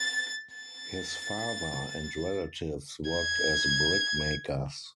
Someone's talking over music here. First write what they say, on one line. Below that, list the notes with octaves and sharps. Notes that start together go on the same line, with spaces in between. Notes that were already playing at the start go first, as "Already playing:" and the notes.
His father and relatives worked as brickmakers.
Already playing: A6
A6
G#6